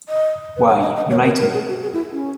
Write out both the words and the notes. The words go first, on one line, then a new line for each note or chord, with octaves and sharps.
Why, you lied to me.
D#5
B4
C#5
D#5
D#5
C#5
A#4
A#4
G#4
F#4
G#4
E4
C#4